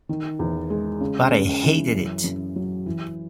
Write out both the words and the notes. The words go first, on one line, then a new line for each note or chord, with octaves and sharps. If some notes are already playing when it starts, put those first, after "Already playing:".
But I hated it.
D#3
E2
G#3
C#3
C#3
E3
F#2
F#2
F#3
E3